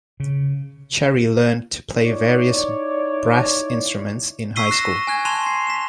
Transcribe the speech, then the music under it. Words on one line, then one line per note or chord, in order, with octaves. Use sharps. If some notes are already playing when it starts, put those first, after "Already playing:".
Cherry learned to play various brass instruments in high school.
C#3
D#4 E4 C#5 D5
C#6 E6 B6 C7 D#7 G7
F#6 A#6 E7
G#5 F#6 G#6
A5 C6 F#6 E7 F7 G7
C7
B6 E7 F7